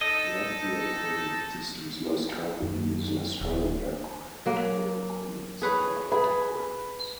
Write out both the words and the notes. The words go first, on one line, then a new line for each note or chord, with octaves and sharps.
Celestial coordinate systems most commonly used in astronomy are equatorial coordinates and ecliptic coordinates.
D#4 A4 D#5
F#2
D1
F#3 A#3
G#4 B4 C#5
G#4 B4